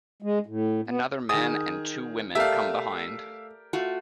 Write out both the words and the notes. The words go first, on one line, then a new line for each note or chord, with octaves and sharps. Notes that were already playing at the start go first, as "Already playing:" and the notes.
Another man and two women come behind.
G#3
A2
B3
D#3 G#4 D#6
A3 G4 A#4 D5 E5 F5
A3 F4 F#4